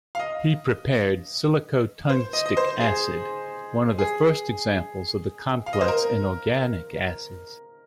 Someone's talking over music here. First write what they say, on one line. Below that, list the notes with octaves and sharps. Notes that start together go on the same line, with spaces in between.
He prepared silicotungstic acid, one of the first examples of the complex inorganic acids.
F5
D#5
C5
D#5
D#5
C5
G#4
G#4
F5
D#5
C5
A#4